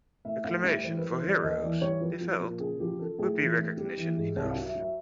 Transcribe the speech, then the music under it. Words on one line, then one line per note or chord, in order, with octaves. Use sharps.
Acclamation for heroes, they felt, would be recognition enough.
A2 E5
A2 F5
G3 E5
E3 C5
B4
E3
C5
G3 D5
D#2 D#5
E3 D5
G3 C#5
F3 B4
F3
A#2
C#3 G#4
F3 G4
F3 A4
A2 G#4
E3
A2
G3 G4
E3
G#2
C2 C#5
F#3 F5
E5
F#3
E5